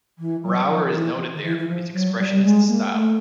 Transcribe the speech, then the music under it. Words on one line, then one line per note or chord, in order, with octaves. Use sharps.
Brauer is noted there for his expressionist style.
E3
F#3
F3
E3
D#3
E3
E3
F3
F#3
G3
G#3
A#3
A3